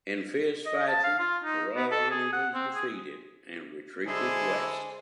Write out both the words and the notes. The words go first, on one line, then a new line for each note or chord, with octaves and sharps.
In fierce fighting, the royal army was defeated and retreated west.
D#5
A5
F5
F4
D#4
B3
A4
G#4
F#5
C4
G#4
D3 G#3 E4 G#4 A4 C5